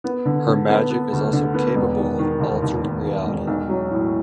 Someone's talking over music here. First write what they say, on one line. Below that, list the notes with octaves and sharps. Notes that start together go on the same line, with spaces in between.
Her magic is also capable of altering reality.
B3
D3
D3
B3
B3
D2
D3
B3
E1
D#3
D#3
D#2
D#2
D#3
D#3
E1
B1
F#3
A2